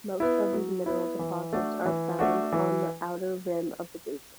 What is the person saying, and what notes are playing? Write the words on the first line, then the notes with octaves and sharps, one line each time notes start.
Most of these mineral deposits are found on the outer rim of the basin.
B3 E4
F#3
B3 E4
E3
A3 D4 F#4
E3
A3 D4 F#4
E3